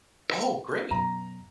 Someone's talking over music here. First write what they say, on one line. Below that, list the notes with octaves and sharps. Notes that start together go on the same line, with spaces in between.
Oh, great.
F#2 B2 A#5